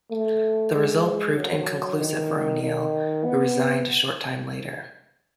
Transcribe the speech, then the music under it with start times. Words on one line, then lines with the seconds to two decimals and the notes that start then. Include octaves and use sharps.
The result proved inconclusive for O'Neill, who resigned a short time later.
0.11 A3
0.74 G#3
1.37 F#3
2.00 D#3
2.62 D#3
3.25 B3